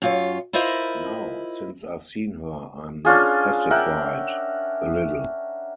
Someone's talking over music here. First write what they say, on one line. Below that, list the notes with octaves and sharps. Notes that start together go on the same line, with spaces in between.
Now, since I’ve seen her, I’m pacified — a little.
F#2 F4 C#5
E4 F4 A#4 C5 D#5
C#4 D4 F4 G#4
A#4 E5 F#5 G5